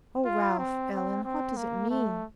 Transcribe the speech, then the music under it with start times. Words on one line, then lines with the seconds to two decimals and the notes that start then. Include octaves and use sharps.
"Oh, Ralph--Ellen--what does it mean?"
0.25 F4
0.58 C4
0.92 C4
1.24 C4
1.57 A#3
1.90 A3